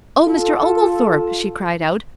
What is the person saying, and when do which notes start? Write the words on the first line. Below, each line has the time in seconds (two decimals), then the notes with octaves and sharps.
"Oh, Mr. Oglethorpe!" she cried out.
0.25 F4 A4